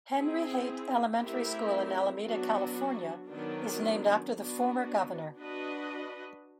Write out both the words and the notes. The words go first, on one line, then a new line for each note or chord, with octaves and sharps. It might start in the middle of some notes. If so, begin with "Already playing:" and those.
Henry Haight Elementary School in Alameda, California is named after the former governor.
C4 E4 G#4
A3 C4 E4 G4 A#4
F#3 B3 D4 F#4
D#3 F#3 B3 D4
B3 D4 F#4
D4 F#4 B4 D#5